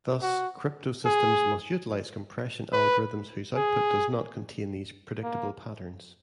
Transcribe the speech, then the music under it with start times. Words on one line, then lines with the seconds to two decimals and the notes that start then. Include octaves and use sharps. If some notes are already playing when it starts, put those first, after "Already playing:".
Thus, cryptosystems must utilize compression algorithms whose output does not contain these predictable patterns.
0.22 F#4
1.05 G#4
2.72 B4
3.56 G#4
5.23 A#3